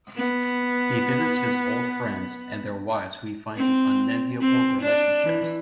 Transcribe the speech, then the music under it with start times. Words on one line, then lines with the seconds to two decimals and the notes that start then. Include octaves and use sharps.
He visits his old friends and their wives who he finds in unenviable relationships.
0.16 B3
3.56 C4
4.41 C4
4.82 D4
5.24 E3